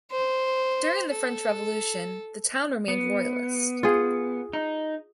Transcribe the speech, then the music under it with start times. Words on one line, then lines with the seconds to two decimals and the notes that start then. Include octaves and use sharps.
During the French Revolution the town remained Royalist.
0.11 C5
1.11 A4
2.88 B3
3.83 F4 G#4
4.53 D#4